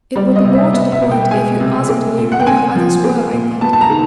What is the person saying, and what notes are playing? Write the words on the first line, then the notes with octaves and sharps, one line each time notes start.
"It would be more to the point if you asked me who the others were, I think."
G3 D5
D#5
C3
E5
B3 E5
E5
B2
G5
G#3 G#5
C3
A#3
A#2
F#5
G5
C4 G#5
F3
A#3
A#2
B3 A5
A5
A#5
D#3